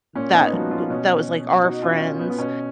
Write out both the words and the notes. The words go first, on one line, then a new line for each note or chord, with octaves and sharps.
that b that was, like, our friends.
A#2 C#4
B3 D#4
F3 D#4 F#4
C#4 F4
B2 C#4
B2 D#4 F#4
C#4 F4
C#4
B3
B3
B2 C#4